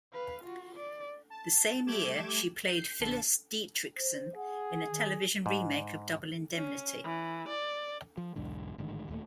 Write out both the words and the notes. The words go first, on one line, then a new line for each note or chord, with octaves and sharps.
The same year, she played Phyllis Dietrichson in a television remake of "Double Indemnity".
B4 F5
F4 F#4
D5
A5
G3 A3 G4 D6 G#6 E7
G6 C7
A#1 D3 A5
C5
G#4 F#5
D#3
G#2
C#4
E3
D5
F3
B1 E2 G#2 D3
A1 G#2 D3 D#3
D#1 D#2 A#2 A3